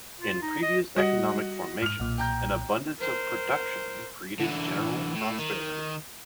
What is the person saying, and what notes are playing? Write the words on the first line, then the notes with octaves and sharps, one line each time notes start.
In previous economic formations, an abundance of production created general prosperity.
F4
D#4
D#5
G3 F#4 D#5 F#5
G#2 F6 F7
B1 A#2
G5 A#5 G6
A#4 C5
D3 E3
A2
D#3